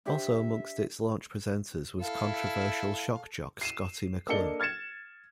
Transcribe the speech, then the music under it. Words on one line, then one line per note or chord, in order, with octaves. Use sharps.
Also amongst its launch presenters was controversial shock jock Scottie McClue.
D4 G4 C5 E5
E4 A4 F5
C7 D#7 E7
A#3 D4 A4 D#5 C#7 G7
F6 G#6 A6 C#7 E7